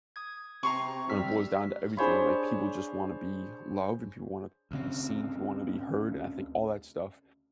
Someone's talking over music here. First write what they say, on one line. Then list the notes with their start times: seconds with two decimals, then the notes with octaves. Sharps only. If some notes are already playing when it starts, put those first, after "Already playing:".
when it boils down to everything, like, people just wanna be loved, and people wanna be seen, people wanna be heard, and I think all that stuff
0.16 D#6 G#6
0.63 C3 C4 G4 A#5 C6 C#6
1.10 G3 E6 F6 B6
1.97 D4 G#4 C5 C#5 B5
4.71 D2 C#3 C4